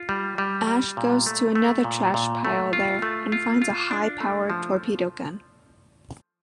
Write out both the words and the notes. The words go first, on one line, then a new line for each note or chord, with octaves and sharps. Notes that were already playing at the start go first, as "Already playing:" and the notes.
Ash goes to another trash pile there and finds a high powered torpedo gun.
Already playing: F4
G3
G3
G3
A#2
A3
A3
A#2
A#2
A3
F4
A3
F4
F4
D4
A3
F3